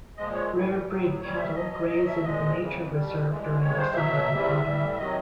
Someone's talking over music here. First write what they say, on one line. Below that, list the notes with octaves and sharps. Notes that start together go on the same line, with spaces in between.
Rare breed cattle graze in the nature reserve during the summer and autumn.
A#2 F3 G#3 D#5
C#5
A2 E3 G3
A2 F#3
A#2 G3 C#5
E5
B2 F#3 D#5
D#5
B2 F#3 D#5
E5
A#2 F3 G#3 D#5
F2 C#3 E3
B2 G3
G2 E3 G#3
G2 D#3 G#3 C#5
C5
B2 F#3 E5
E2 C3 E3 G3
A2 E3 G3
E5
C3 D#3 F#3 D#5